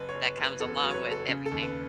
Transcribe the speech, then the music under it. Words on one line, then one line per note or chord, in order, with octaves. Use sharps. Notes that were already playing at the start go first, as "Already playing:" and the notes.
that comes along with everything,
Already playing: F#1 B4
C#5
F#1
B4
F#1
B4
E2 A4
B4
F#3
C#5
B4
F#1
A4
C#3
A4
D#2
B4